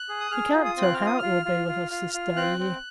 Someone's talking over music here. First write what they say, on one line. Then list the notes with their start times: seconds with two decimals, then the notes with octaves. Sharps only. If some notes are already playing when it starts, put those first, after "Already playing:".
We can't tell how it will be with us this day year.'
Already playing: F#6
0.09 G#4
0.20 D#6
0.31 G#4 F6
0.54 F4
0.65 D#6
0.77 C4
0.82 F#6
0.94 F6
0.99 F4
1.06 D#6
1.18 F4 F6
1.45 F4
1.68 F4
1.91 F4
2.14 F4
2.36 C4 F#6
2.59 C4